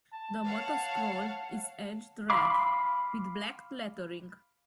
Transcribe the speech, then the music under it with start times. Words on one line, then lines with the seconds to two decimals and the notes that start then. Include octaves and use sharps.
The motto scroll is edged red, with black lettering.
0.13 A5
0.43 C#5 F5 F#5
2.30 F5 B5 C6 D6